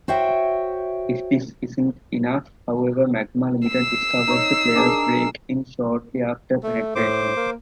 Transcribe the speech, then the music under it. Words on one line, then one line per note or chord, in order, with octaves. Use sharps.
If this isn't enough, however, Magma Limited discovers the player's break-in shortly after penetration.
F#4 C5 C#5 E5 G5
E6 C7
D#4 C#5
D4 G#4 A#4
A3
A2 C5 D6
A#3